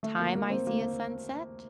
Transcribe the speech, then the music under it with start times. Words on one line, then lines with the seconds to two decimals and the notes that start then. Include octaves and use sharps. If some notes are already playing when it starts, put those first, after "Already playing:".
time I see a sunset.
0.03 A3
0.19 A#3
0.35 A#3
0.50 C4
0.67 A#3